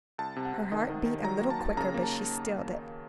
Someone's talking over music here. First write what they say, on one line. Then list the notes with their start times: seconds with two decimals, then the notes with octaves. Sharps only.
Her heart beat a little quicker; but she stilled it.
0.18 C2 A5
0.36 C3
0.45 F#5
0.54 C3
0.72 D#3 D#5
0.89 D#3
1.06 D#3
1.23 F#3 A#5
1.41 A#3
1.50 A5
1.59 D#2
1.77 C#3 A#5
1.94 A#3
2.03 A5